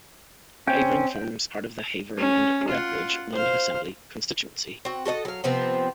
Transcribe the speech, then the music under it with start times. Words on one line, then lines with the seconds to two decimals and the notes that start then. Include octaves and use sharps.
Havering forms part of the Havering and Redbridge London Assembly constituency.
0.67 C4 C#4 G5
2.17 C#4
2.68 F4 F#5
3.33 C5 F5
4.85 C4 F#4
5.05 F#4 A4 C#5 D#5
5.25 F#3 F5
5.44 C3 F3 B3 C4